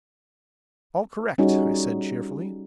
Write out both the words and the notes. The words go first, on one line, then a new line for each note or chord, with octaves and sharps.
"All correct," I said cheerfully.
G3 C#4 D#4 F#4 G#4